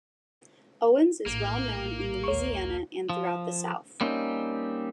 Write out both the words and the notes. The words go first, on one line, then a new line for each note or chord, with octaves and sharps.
Owens is well known in Louisiana and throughout the South.
A#1 A2 A#3
D#2 C#5 C#6
F3
G3 A#3 C4 C#4 D#4